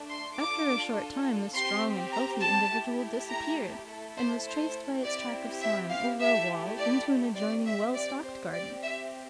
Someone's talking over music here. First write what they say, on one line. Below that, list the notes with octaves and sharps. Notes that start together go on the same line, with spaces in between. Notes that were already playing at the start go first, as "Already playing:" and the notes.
After a short time the strong and healthy individual disappeared, and was traced by its track of slime over a wall into an adjoining well-stocked garden.
Already playing: A3 D4 A4
C6
D4 F4 A4 D6
C4 G4 C6
A#5
A5
A3 E4 G4
A#5
A3 E4 A4
C5
C5
C4 E4 G4 D5
E5
F5
A3 E4 G4 E5
D5
C4 G4 D5
E5
D5
C5
C4 G4 D5
E5